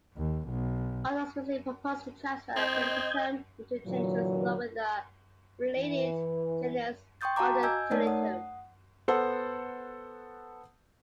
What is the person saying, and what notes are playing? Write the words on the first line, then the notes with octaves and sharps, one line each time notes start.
Authors recently proposed to transfer "Pennisetum" into "Cenchrus", along with the related genus "Odontelytrum".
D#2
B1
C4 D#5 G6 G#6
A#2 D3 E3 F#3
E3
G5 C6 C#6 D#6 G6 A6
F#4 F5 A5 A#5 D6
D#5 G#5 E6 G6 G#6
A3 D#4 A#4 C#5 D5 A5
F#5 D#6
B3 A4 C5 F#5 A5